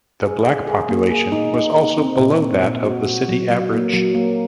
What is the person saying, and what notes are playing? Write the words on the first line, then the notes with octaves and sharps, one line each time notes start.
The black population was also below that of the city average.
G#4
G#4
G#4
A#3
G#4
D#4
D#4
D#4
C4
A#2
C4
A#2
F#4
F#4
F#3
F#3
A#3
F#3
A#3